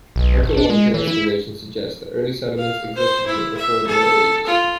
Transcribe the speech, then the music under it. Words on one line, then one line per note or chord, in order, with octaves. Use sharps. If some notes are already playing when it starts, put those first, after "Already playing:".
Archaeological excavation suggest that early settlements existed here before the Middle Ages.
B1
A1
D4
G#3
E3
E4
F5
C5
E4
E5
A4
F4